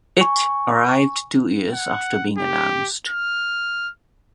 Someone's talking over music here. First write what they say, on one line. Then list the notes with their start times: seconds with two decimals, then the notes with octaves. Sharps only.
It arrived two years after being announced.
0.21 G#5 C#6
1.73 F#5
2.38 G4
3.09 F6